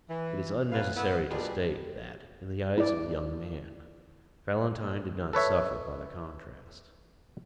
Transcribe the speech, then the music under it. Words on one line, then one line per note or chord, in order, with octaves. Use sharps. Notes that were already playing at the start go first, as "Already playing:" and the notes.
It is unnecessary to state that, in the eyes of the young man, Valentine did not suffer by the contrast.
E3
F#2 B4 F5
B3 E4
B2 G3 G#3 D4 F4 G#4
E4 D5
A4 B4 C#5 E5